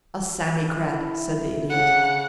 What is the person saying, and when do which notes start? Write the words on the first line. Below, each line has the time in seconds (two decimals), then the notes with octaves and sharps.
"A Sammycrat," said the Idiot.
0.77 E4
1.70 C#3 F#5